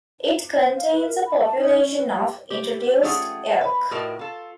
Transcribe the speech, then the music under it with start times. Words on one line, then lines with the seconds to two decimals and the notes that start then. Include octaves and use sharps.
It contains a population of introduced elk.
0.57 C5
0.76 F5
0.92 B4
1.07 A#4
1.26 B5
1.40 A5
1.58 D#4
1.80 C#4
1.98 B4
2.16 G4
2.50 G4
3.03 A3 C#4 F4 G#4 F#5 G5
3.61 B4
3.91 A2 F4 F#4 A#4 D#5 A5
4.19 F4 A4